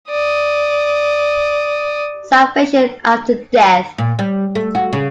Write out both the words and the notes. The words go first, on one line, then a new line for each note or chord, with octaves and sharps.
Salvation after death.
D5 D#6
A#2
G3
A3
F#4
C#3